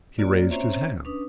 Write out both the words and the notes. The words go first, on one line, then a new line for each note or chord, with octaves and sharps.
He raised his hand.
A#3 F4 F#4 C#5 D5
C4 C#4 C5 C#5 E5 A#5
C#4 D4 B4 D#6